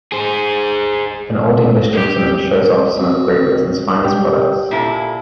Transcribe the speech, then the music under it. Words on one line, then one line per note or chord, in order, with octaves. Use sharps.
An old english gentleman shows off some of Great Britain 's finest products.
G#4 C5
G4
C4 F#4
G4
A#2 E4 A4